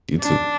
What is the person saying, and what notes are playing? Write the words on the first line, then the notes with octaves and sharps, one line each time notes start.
You, too.
D4